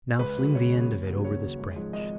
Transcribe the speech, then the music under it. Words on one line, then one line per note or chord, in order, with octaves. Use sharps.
Now fling the end of it over this branch.
C#2 B4
C#3 F#3
C#2 C#5
C#3 F#3
D#2
C#3 F#3
D#2 C#5
C#3 F#3
G#1
G#2 F3
G#1 D#5